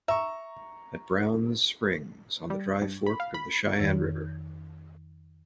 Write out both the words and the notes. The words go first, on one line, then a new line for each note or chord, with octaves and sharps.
At Brown's Springs, on the dry fork of the Cheyenne River.
E5 A#5 C#6
G3
G2
B5
F5
B5
F2 D#3